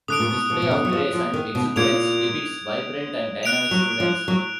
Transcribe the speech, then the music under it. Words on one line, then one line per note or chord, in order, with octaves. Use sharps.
The display of grace and exuberance depicts vibrant and dynamic students.
D3 D#6 F#6 D7
A#2
B2
B2
B2
D3
F#3
F3
F3
D#3
B2
A#2 G#6 D7 F7
F#6 D7 F7
F#3
F3
F#3